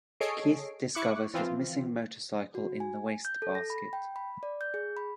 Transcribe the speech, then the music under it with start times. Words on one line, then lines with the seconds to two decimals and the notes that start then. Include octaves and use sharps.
Keith discovers his missing motorcycle in the wastebasket.
0.20 G#4 A4 C#5 D#5 C7 D7
0.95 E4 C#6 D6 F#6 C#7
1.34 E3 F3 C4 F4
2.55 F#4
2.80 G#5
3.25 G6
3.42 A4
3.55 A#6
3.70 B5
3.93 G5
4.16 B5
4.43 D5
4.61 G6
4.74 G#4
4.97 B5